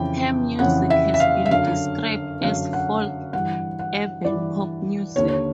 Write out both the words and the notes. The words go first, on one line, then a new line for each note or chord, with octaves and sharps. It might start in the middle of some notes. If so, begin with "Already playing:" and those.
Her music has been described as folk-urban pop music.
Already playing: F2 C#3 E3 G5
F2 C#3 E3 F#5
E5
E5
F5
E5
F#2 D3 F5
F#2 D3 F5
F#5
G2 E3 F#5
F#5
G2 E3 D5
D#2 D3 C#5
C#5